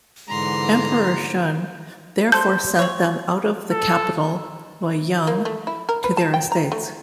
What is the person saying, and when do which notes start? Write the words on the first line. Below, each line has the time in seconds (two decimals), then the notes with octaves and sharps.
Emperor Shun therefore sent them out of the capital Luoyang, to their estates.
0.29 G#2 D3 E3 A#5 C6
2.32 A4 C5 G6
2.79 C4 C#5
3.71 A4
5.27 A#3
5.45 A3
5.67 E4
5.89 A#4
6.04 B4
6.17 A5
6.34 G5
6.52 A#5
6.72 A3